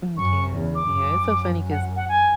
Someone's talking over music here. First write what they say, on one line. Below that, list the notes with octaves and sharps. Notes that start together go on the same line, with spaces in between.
Mm, yeah, yeah, it's so funny 'cause
F#2 C#6
E2
D6
F#2
F#5
F#5
G#5